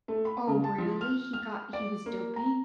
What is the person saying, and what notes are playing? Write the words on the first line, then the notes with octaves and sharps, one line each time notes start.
Oh, really? He got he was doping?
A3
B5
C#3
A5
F3
F6
F6
D5
A#3
A#5